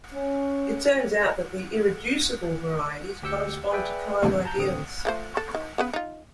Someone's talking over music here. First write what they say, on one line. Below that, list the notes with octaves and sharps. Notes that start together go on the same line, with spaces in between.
It turns out that the irreducible varieties correspond to prime ideals.
C#4
D2 G4 G5 E6 G6 C#7
G#4 B4 D5 E5 G5 G#5
E2 G2 C3
A5 A#5 G6
A1 D2 D3 C4 D#6
F3 A3 C5
A4
D#3
C#3 B3 B4
D#4 F4